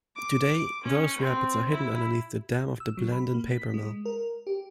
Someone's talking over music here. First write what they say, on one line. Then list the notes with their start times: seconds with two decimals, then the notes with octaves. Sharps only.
Today, those rapids are hidden underneath the dam of the Blandin Paper Mill.
0.16 D6
0.84 C#4
1.18 C4
1.69 E4
2.80 E6
2.97 F#3
3.12 B5
3.34 A#3
3.51 B6
3.74 G#3
4.05 A#4
4.47 G4